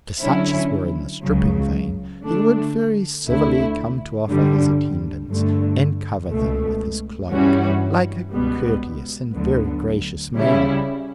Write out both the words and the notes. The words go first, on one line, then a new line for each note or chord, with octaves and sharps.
To such as were in the stripping vein he would very civilly come to offer his attendance, and cover them with his cloak, like a courteous and very gracious man.
D3 F#3 C#4 E4
C#2 C#3 F#3
D3 A3 D4
D2 D3 A3 E4
G2 D3 G3
G2 D3 A3
C#2 B2 A3
G2 E3 G3 C#4 F#4
C#2 B2 G3 B3
D2 D3 F#3 B3
C#3 G3 C#4 E4